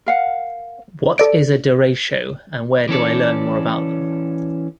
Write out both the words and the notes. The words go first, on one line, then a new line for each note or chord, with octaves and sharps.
What is a derecho and where do I learn more about them?
A#4 F5 F#5
A4 D5 D7
E3 C#4 A4 D5